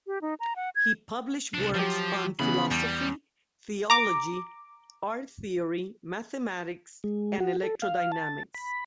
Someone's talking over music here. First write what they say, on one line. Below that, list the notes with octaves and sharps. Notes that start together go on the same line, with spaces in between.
He published works on philosophy, theology, art theory, mathematics and electrodynamics.
G4
D#4
A#5
F#5
G#6
C2 D4
F3 F#3 G4
C#3 E3 B3 B5
E2 G3
A#5 D6
G#3
F#4
A4
F5
A5
B5